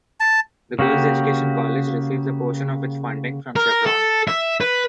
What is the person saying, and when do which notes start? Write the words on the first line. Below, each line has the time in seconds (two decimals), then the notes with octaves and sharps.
The Girls Education College receives a portion of its funding from Chevron.
0.20 A5
0.79 C#3 A#3 F#4 G4
3.56 A#4
3.86 A4
4.28 E5
4.61 B4